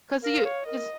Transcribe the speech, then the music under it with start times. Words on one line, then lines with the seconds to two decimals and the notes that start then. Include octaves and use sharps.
'cause you this
0.23 A#4 F5
0.45 C#5
0.66 A#4 D#5